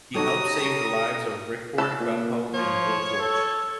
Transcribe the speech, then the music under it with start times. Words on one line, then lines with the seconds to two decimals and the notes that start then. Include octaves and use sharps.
He helps save the lives of Ripcord, Gung-Ho and Blowtorch.
0.15 F#3 D#4 F#4 G4 A4 C#5 A#5 D#6
1.78 A4 B4 A5
2.00 A#2
2.54 F3 C#5
3.20 A4